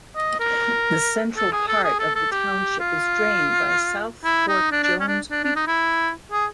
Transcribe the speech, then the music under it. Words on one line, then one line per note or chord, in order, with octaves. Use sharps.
The central part of the township is drained by South Fork Jones Creek.
D#5
A#4
A4
G#4
A4
G#4
A4
A4
G4
F4
E4
D#4
D4
D4
C#4
D4
D4
D4
D#4
E4
G#4